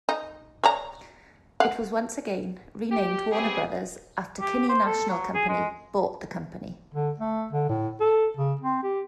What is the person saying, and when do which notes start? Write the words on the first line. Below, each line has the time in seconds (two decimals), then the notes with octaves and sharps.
It was once again renamed Warner Brothers after Kinney National Company bought the company.
0.09 D#4
0.64 C#5 D5 A#5
1.60 F5 F#5
2.91 G4
3.31 G3 B3 C4 G4 G#4
4.41 G4
4.69 C5
4.86 A4
5.09 F#3
5.34 G#4
5.49 G#3
6.94 D3
7.20 A3
7.53 D3
7.69 A2
8.01 A4
8.37 C#3
8.61 C4
8.83 G4